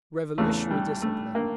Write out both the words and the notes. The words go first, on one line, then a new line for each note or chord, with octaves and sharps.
Revolutionary discipline!
E2 C#3 E3 A3
G3
A3
A#3